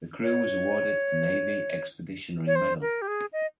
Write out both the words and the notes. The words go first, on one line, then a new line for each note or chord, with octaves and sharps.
The crew was awarded the Navy Expeditionary Medal.
C#5
C#5
C5
A#4
G4
G#4
D#5